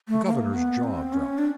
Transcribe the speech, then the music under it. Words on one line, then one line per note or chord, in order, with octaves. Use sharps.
The governor's jaw dropped.
A3
A3
A#3
B3
C4
C#4
D4